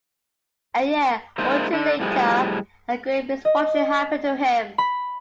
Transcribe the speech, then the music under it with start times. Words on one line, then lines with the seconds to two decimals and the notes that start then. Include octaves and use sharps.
A year or two later a great misfortune happened to him.
1.38 G#3 A#3 D#4 E4 C5
1.73 D3 D4
2.00 A2 F3 G3 G#3
3.45 D#5
4.78 B5